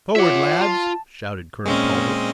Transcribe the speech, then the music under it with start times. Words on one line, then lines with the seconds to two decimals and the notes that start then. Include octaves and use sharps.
"Forward, lads!" shouted Colonel Talbot.
0.16 F4 C#5 E5 F#5 D6
0.61 F4 A5
1.65 A#2 G#3 C4 C#4 D#5